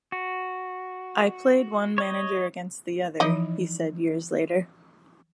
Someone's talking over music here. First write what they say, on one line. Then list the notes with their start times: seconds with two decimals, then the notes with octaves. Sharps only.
"I played one manager against the other," he said years later.
0.12 F#4
1.98 C#5 D#5
3.20 E3 F3 D#4 E4 D#5